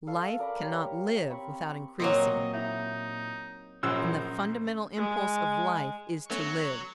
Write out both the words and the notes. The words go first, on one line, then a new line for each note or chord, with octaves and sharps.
Life cannot live without increasing, and the fundamental impulse of life is to live.
A4 F5 A5 C#6
A#4 D5 A#5 B5
G4 C#5
C4 B5 C#6
A#2 F#3 A#3 C4 D#5
D#4 E4
A#1 F#2 C#4 D#4 A#4 C5 E6
G#3
F#3 A3 B3 C#4 C#6